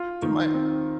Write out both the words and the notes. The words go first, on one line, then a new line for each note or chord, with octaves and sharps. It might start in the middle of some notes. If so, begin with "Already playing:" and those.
It might
Already playing: F4
D#3
C4